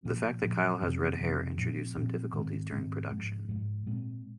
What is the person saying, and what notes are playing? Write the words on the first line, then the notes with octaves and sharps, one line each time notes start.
The fact that Kyle has red hair introduced some difficulties during production.
A#2 F3 A#3
A#2 F3 A#3
F2 C3 F3 C4
F2 C3 F3 C4
A#2 F3 C4
A#2 F3 C4
G#2 D#3 G#3 C4
G#2 D#3 G#3 C4
G#2 F3 G#3
G#2 F3 G#3
A#2 G#3 C4